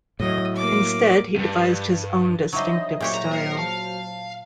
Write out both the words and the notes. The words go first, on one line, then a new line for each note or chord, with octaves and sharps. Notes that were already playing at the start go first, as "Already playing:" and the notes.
Instead he devised his own distinctive style.
A2 F#3 D#5
A#3 D6
E2 G2
F#3 G3 D4 D#4 C5 D#5 E5
A#2 F#3 G4 G#4 C5 C#5 E5
G#4 A#5
A#3 A#4 C7 C#7
F5 A5